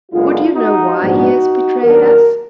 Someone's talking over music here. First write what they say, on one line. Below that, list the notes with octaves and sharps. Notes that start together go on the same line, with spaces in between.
Would you know why he has betrayed us?
F#1 F#2 D3 G#3 B3 D4 F4
D#4 F#4
A#1 G#2 F3 B3 D4 D#4 F#4
D#2 D#3 F#3 D4 F#4 A#4